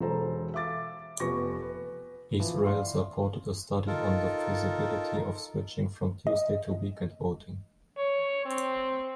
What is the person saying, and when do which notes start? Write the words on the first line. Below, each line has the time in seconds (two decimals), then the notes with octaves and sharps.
Israel supported a study on the feasibility of switching from Tuesday to weekend voting.
0.01 E1 A4 C5 A#5
0.54 E5 F5 D6 A6
1.20 F1 B3 G4 C#6 A#6
1.62 B4
2.40 E3 F3
2.65 D5 F5 C6
3.87 D#4 F4 A4 A#4
6.27 D#5
7.97 C#5
8.45 C4